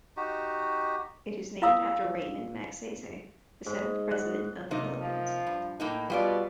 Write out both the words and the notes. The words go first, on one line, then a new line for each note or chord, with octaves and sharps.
It is named after Ramon Magsaysay, the seventh President of the Philippines.
D#4 F#4 G4
E4 F5 A#5 D#6 E6
G#2
F#5
C3 A#3 D#4
F3
G2
A2 A#3 D#4
B2 G3 F4 D5